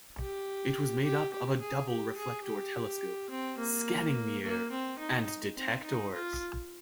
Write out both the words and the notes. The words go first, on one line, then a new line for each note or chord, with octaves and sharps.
It was made up of a double reflector telescope, scanning mirror, and detectors.
G4
G4
G4
G#4
G4
G#4
G4
C4
A#3
A#3
C4
D#4
C4
D#4
F4